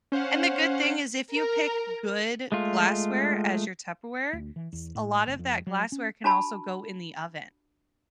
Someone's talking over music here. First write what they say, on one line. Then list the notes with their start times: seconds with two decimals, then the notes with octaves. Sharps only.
And, the good thing is, if you pick good glassware as your Tupperware, s a lot of that glassware can also go in the oven.
0.12 C#4 C5 F5 F#5
1.35 A#4
2.52 G#3 A3 F4
4.33 D2
4.56 E3
4.73 E2
4.95 A2
5.27 F#1
5.39 F2
5.67 F#3
5.92 C#4
6.24 D4 F#4 A5 B5